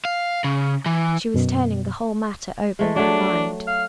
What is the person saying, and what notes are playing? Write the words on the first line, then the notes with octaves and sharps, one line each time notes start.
She was turning the whole matter over in her mind.
F5
C#3
E3
F#2 B2
G#3 A3
F#3 A3 D4
F5